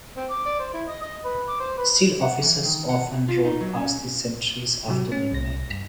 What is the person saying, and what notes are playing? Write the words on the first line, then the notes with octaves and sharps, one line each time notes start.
Still, officers often rode past the sentries after midnight.
C4
D6
D5
C5
E4
D#5
D#5
B4
D6
C5
B4
F#5
E3
D#3
F#5
B2
F4
D#4
F#3
C#4
C3 F#3
C#4
C2 A#6
G2